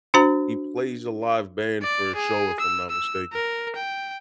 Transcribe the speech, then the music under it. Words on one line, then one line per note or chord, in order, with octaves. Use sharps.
He plays a live band for a show, if I'm not mistaken.
D4 F#4 C5 A#5
D5
G#4
E6
E6
A#4
G5